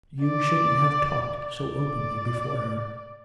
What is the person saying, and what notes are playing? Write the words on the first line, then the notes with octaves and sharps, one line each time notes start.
You shouldn't have talked so openly before her.'
D5
D5